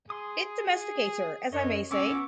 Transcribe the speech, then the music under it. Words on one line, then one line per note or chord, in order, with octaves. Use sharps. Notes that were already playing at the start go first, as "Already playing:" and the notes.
It domesticates her, as I may say.
G#4 C6 D#6
F#2 C#5 D#5
B3 C#4 C#6 D6 E6